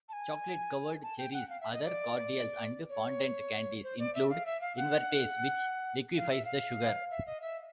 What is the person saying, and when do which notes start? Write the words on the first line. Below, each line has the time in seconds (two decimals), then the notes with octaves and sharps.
Chocolate-covered cherries, other cordials, and fondant candies include invertase, which liquefies the sugar.
0.09 A5
0.13 G#5
1.02 A5
1.18 G5
1.33 F#5
1.49 F5
1.61 E5
1.72 D#5
1.84 D5
2.89 C#5
3.83 C5
3.99 D5
4.14 E5
4.29 F5
4.46 E5
4.61 F5
4.77 F#5
6.17 F5
6.31 E5
6.45 F5
7.11 E5
7.26 D#5
7.42 E5